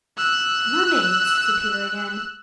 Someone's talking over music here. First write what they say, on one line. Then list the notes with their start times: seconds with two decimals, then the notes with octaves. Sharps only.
"Mermaids!" said Peter again.
0.17 E6 F#6